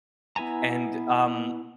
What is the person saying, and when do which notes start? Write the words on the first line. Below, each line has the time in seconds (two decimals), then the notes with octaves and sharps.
and, um,
0.36 B3 E4 B4 G#5 A#5